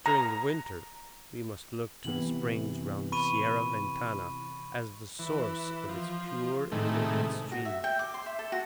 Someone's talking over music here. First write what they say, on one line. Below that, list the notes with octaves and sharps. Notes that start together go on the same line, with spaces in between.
During the winter we must look to the springs round the Sierra Ventana as the source of its pure and limpid stream.
A#5
C3 E3 B3 F#7
B5 C#6 D#7
E3
F3
A2 C3 D#3 G#3 A3
F#4
E5
G5
D6
C6
E5
A4
F#4